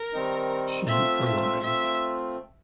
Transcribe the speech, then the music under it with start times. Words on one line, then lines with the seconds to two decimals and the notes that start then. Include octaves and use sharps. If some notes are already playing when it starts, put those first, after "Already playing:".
She arrived.
Already playing: A#4
0.13 D#3 G3 C4 D#4
0.87 A3 C4 F4 E5
1.26 E5
1.63 A3 C4 F4 E5